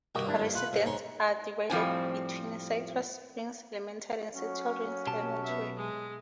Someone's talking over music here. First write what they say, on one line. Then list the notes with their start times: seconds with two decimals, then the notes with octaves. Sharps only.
Residents are divided between Citrus Springs Elementary and Central Ridge Elementary.
0.15 G2 A#2 A#3 F#4 G4 D#5
0.27 G#1 D4 E4
0.55 F4 B4 F#5
0.73 G#2
0.86 G#2 C#5 C6
1.70 F2 A2 F3 G3 C4 G#5
4.35 F#3 C#4
5.07 B1 G4 A5
5.44 B3 E5
5.77 G#3